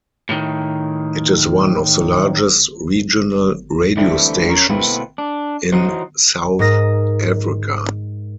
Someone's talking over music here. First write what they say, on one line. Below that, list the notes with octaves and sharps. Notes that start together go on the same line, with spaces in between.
It is one of the largest regional radio stations in South Africa.
A2 D#3
D3 E3 G3 A3 C4 E4
C#4 A#4 C#5
B2 A3 A#3 C4 E4 B4
D4
E3 F#3 D#4 F#4 C5
G#2 A#4 D#6 A#6